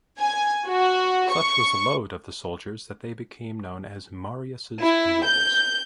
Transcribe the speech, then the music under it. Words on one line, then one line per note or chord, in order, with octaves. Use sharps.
Such was the load of the soldiers that they became known as "Marius' Mules".
G#5
F#4
C#6
E4
G6